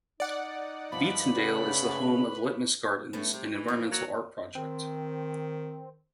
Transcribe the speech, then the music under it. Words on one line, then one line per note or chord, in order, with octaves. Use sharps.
Vintondale is the home of Litmus Gardens, an environmental art project.
D#4 D5 F#5
G2 F3 B5
C#3 A3 B4
A2 A3 B3 C#4
G2 C3
E3
F2 A#3
F#3
D#3 C4